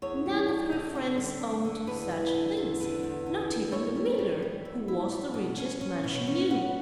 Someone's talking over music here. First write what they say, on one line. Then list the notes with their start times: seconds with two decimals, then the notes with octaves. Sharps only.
None of her friends owned such things, not even the miller, who was the richest man she knew.
0.02 E2 C#5
0.26 G3
0.48 D4
0.72 D3
0.95 D3
1.18 G3
1.41 D4
1.65 D3
1.87 E2 B4
2.11 G3
2.34 D3
2.57 E2
2.80 D3 B4
3.03 E2
3.26 D3
3.50 D4
3.72 E4 C#5
3.95 G3
4.18 G3 D5
4.42 G3
4.65 E4
4.88 E4
5.11 G3
5.34 B2
5.57 C#4
5.81 C#4
6.04 B2
6.27 C#4
6.50 G3 F#5